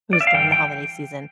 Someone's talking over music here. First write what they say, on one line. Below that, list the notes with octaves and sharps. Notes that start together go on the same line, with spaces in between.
it was during the holiday season,
D5
E5
F5
G2 E3 G5
G5